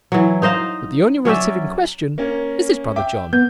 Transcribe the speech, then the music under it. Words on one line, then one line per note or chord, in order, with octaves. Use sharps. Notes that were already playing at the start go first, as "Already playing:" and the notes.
But the only relative in question is his brother John.
E3 F#3
D#4 C5 D#5 F5
F#3 C#4 D5 E5
A#3 C#4
E5 G5 D6
B3 G6